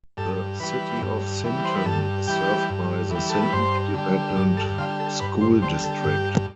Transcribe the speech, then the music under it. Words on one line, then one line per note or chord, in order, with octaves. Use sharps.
The City of Sinton is served by the Sinton Independent School District.
G2 A4
E3 G3 B4
G2
E3 G3
C5
B4
G2 A4
E3 G3 G4
G2
E3 G3
A4
B4
G2 C5
D3 G3
G2 D5
A4
D3 G3 F4
A4
G2 B4
C5
D3 G3 C5
A4
G2 G4